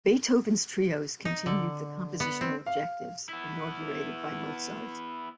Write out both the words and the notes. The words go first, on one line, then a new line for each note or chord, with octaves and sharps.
Beethoven's trios continued the compositional objectives inaugurated by Mozart.
D#4
D3
B3
C4
F5
B3 E4